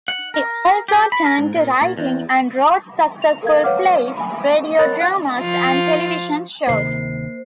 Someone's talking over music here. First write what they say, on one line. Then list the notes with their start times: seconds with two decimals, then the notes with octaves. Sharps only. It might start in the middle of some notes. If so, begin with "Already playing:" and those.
He also turned to writing and wrote successful plays, radio dramas, and television shows.
0.08 F#5
0.34 A#4
0.88 G4
1.12 B5
1.25 A#4
1.38 G#2
1.55 A#2
1.81 A#2
1.97 E2
3.22 F7
3.43 A4 A#4 F5 G#6
3.64 B4 C#5 F5 F#5 D6 F6
4.17 G#5 B5
4.79 A#4 C#5 D#5 B5 F#6 A6
5.01 F#5 F#6
5.40 F3 F4
6.67 D1 C3 D#3 A#3 C5 C7